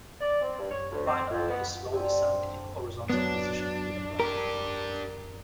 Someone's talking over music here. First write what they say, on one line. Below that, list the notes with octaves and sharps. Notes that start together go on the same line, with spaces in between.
Finally, he slowly sank in a horizontal position to the ground.
D5
C4
G2
C#5
D2
C4
F2
B3
D3 C4 G#5
F#3 B3 D4
D4 G4 A#4